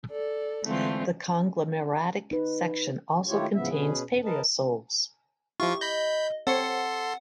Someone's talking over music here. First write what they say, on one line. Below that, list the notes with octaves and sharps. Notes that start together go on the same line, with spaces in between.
The conglomeratic section also contains paleosols.
A4 D5
D3 E3 G#3 A3 C4 F4
D#4 B4
D#3 A3 E4 F4 G4 C#5
A2 C#3 F3 B3 E5
B2 C#4 G#4 B4
E2 B2
A#4 B4 D#5 A5
F3 E4 F4 G4 C#6
D#5 B5 G6
C4 A4 C#5 F#5 C6